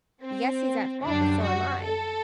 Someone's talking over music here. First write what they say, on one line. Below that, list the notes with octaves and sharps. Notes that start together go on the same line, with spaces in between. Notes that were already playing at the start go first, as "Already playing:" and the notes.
Yes, he's at fault, but so am I,
C4
F#2 D3 G3 D4
F#4
A4